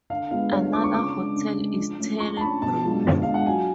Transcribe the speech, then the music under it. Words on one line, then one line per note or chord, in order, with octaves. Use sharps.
Another hotel is Terre Brune.
D3 F5
G#3 B3 F4 F5
D3 C#5
F5
G#3 B3 F4 D6
C#6
C#3 D6
G#3 D4
C#3
G#3 D4
F3
A3 C#4
F3 C#6
A5
A3 C#4 B5
B2 A5
G#3 D4 F4
B2
G#3 D4 F4 F5
F#5
F#3 G#5